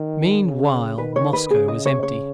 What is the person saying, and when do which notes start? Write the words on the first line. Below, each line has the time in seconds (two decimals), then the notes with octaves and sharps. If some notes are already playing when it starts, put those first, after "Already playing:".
Meanwhile Moscow was empty.
Already playing: D#3
0.46 C#3
0.98 D#3 B4
1.16 C#5
1.33 B4
1.50 C#3 G#4
1.68 D#5
1.86 C#5
2.03 C#5